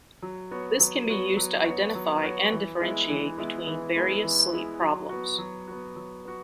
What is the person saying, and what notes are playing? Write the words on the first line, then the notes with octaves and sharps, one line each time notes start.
This can be used to identify and differentiate between various sleep problems.
F#3
B3 F#4 C#5
F#3
B3 F#4 C#5
F#3
B3 F#4 C#5
F#3
B3 F#4 C#5
E3
G#3 B3 E4
E3
G#3 B3 E4
E3
G#3 B3 E4
E3
G#3 B3 E4
F#3
B3 F#4
F#3
B3 F#4
F#3
B3 F#4